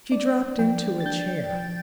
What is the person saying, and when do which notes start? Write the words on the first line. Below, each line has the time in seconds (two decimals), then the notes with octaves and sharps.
She dropped into a chair.
0.11 D4 D5
0.59 F3 G5
1.00 A6
1.06 D4 G6
1.53 F3